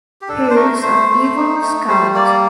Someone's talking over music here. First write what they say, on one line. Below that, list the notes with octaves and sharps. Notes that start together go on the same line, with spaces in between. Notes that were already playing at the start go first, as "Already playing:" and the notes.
He is an Eagle Scout.
G4
D4 A4
C5
A3 A#4
A3 C5
A3
D#4
A3
G3 C5
A#3 D5